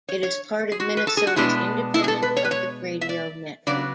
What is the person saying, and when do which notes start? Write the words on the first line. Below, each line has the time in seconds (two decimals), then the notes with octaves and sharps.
It is part of Minnesota's Independent Public Radio network.
0.09 C#5
0.23 C#5
0.72 G#4
0.80 F#4
0.97 B4
1.07 A4
1.17 G#4
1.27 F#4
1.36 B2 G#3 B3 D4 E4
1.94 E4
2.04 G#4
2.08 A4
2.22 B4
2.37 C#5
2.45 B4
2.51 C#5
3.01 E5
3.09 D5
3.67 C#3 F#3 B3 D4 D5